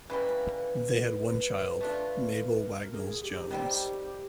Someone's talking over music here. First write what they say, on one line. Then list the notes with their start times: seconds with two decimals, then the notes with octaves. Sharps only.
They had one child, Mabel Wagnalls Jones.
0.10 C#3 E3 G3 A#3 B4
0.52 B4
1.81 A3 D4 F4
2.66 A#4
2.94 G#4
3.22 G4
3.51 D#3 G3 C4